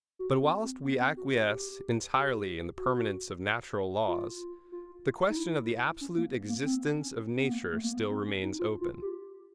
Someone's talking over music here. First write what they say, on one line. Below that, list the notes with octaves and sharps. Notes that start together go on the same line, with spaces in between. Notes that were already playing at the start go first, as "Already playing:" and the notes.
But whilst we acquiesce entirely in the permanence of natural laws, the question of the absolute existence of nature still remains open.
F#4
C4
C4
B3
C4
F#4
G4
G4
G4
F#4
F4
F4
D#4
E4
C#4
A#3
A#3
C4
C#4
C4
B3
A#3
A3
A#3
B3
C4
C#4
D#4
F4
F4
G4